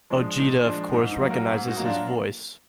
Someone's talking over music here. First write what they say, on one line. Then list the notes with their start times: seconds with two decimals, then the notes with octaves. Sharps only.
Ojeda of course recognizes his voice.
0.10 F3 G#3 D4
0.38 A#2 D#4
0.65 F3 G#3 D4
0.93 G#2 D#4
1.12 D#4
1.21 F#3 A#3
1.30 F#4 A#4
1.49 G#2
1.67 D#4 F#4
1.77 F#3 A#3
1.85 D4 F4